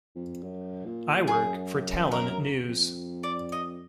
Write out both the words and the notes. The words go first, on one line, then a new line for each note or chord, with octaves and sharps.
I work for Talon News.
F2
F#2
A#2
F#2 G#4
F#2 A#4
F2
D5
D#5